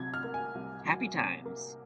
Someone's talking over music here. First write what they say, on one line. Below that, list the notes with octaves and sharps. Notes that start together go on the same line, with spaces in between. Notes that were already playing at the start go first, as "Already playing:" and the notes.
Happy Times!
Already playing: C2 C3 F#3 G#6
F6
A#3
G#5
C2
F#3
C3
A#3